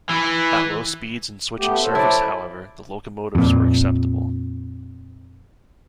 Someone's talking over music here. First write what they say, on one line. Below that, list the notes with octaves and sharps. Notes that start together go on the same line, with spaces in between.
At low speeds in switching service, however, the locomotives were acceptable.
E3
A3 B3 G4
C#4 A4 C5
E4 D5
F2 A#2